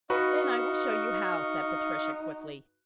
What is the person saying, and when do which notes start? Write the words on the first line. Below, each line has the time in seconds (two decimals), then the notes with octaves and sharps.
"Then I will show you how," said Patricia, quickly.
0.10 D#4 F#4 B4 D#5 F5 C#6